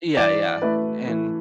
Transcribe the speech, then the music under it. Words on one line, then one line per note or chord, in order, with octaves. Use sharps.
Yeah, yeah, and
E3 D5
A3 E4 B4
E3